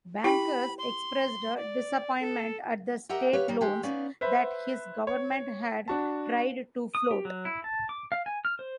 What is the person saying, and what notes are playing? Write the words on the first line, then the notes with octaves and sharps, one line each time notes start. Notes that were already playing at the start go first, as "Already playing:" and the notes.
Bankers expressed disappointment at the state loans that his government had tried to float.
E4 G4 G5 B5
C6
D5
A4
G4 A#4 D#5 E5 F#5 G5
G4 B4 C#5 F5
D#3 G3
E3 G#3 G4
B3 C#4 D#4 D5 F5
B4 C5 E5 B5
C#5
D4 F#4 A5
D#6
G4
F#3
E4
A5
D6
F5
G#5
F6
C5